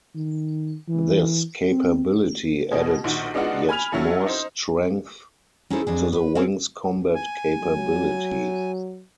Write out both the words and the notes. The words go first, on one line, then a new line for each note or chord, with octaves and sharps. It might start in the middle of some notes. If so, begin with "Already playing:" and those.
This capability added yet more strength to the wing's combat capability.
D#3
E3
C4
B2 G#4
A#1 D#3 F#4
G#3 B3 D4 D#4 F4 F#4
G#5 B5 F6 F7
F#3 C#4 E4 A4
D#4 C5
C#4 D#4 E4 G#4 A4 C5
F2 D4 G#4
B4
C4 C#4 F4 G#4 C5
G#5
F#3